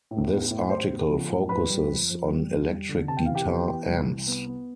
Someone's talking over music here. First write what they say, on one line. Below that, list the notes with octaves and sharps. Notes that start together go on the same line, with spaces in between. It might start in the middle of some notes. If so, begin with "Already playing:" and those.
This article focuses on electric guitar amps.
A2
B3
A2
A2 C5 C6
B3
F3
A2
F2 B4 B5
G3
F2
F2
G3
F2
G3
D3
C3 A5
G5
E3 F5
G4 G5
B3
E3
C2
C2
B3
B3